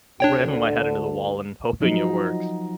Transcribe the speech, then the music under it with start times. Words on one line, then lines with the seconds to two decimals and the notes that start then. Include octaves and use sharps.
ramming my head into the wall and hoping it works.
0.20 D2 D3 D4 C#5 G5
1.81 F3 F#3 D#4